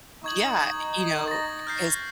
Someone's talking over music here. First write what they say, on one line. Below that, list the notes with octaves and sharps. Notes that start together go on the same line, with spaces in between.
yeah, you know, it's,
D#4 C#6 G#6 F#7
A6 A#6
F6 G6 C7